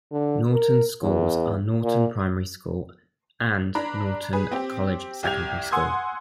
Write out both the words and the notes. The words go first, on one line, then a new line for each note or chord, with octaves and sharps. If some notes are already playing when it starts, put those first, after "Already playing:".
Norton's schools are Norton Primary School, and Norton College secondary school.
D3
A#4
E2
A#2
D4 A#5 B5
G#4 B4
C4 G4
C2 G4 G6 G#6 F7
F#5 G#5 C6 D#6 E6 G#6